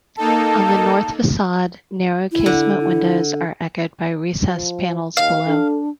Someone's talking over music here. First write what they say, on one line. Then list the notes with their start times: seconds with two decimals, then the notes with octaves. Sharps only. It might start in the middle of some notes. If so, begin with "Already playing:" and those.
On the north facade, narrow casement windows are echoed by recessed panels below.
0.17 A#3 D#4 A4 A5
2.32 E4
2.46 D3
2.80 E4
4.46 F3
5.17 D#2 F5
5.47 D4 A4